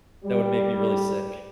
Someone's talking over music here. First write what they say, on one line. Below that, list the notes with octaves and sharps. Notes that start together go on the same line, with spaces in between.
that would make me really sick.
G3